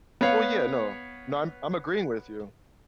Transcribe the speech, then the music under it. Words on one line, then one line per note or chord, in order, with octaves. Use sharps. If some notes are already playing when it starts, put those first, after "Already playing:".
Well, yeah, no. No, I'm I'm agreeing with you.
B3 B4 C#5 F5